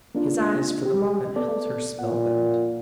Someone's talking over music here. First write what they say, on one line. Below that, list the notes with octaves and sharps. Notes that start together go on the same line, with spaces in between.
His eyes for the moment held her spellbound.
A#3 D4 F4
G4
B3 A4 D5
A#2 F#5